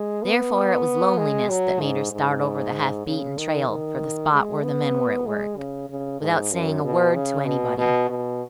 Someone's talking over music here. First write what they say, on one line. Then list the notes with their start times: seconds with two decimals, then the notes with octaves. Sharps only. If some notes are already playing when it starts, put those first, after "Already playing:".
Therefore it was loneliness that made her start over the half-beaten trail for the spot where the men were at work, without saying a word to anybody.
Already playing: G#3
0.23 B3
1.18 G#3
1.49 F#3
1.81 G#2
2.12 G#2
3.06 C#3
3.38 D#3
3.68 D#3
4.32 G#3
4.63 B3
5.26 G#3
5.57 C#3
5.90 C#3
6.21 G#2
6.52 F#2
6.84 B2
7.15 C#3
7.46 B2
7.78 B2
8.09 B2